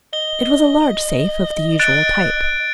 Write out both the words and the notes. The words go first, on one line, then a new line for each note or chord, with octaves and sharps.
It was a large safe of the usual type.
D#5 G7
F#6 A6 D7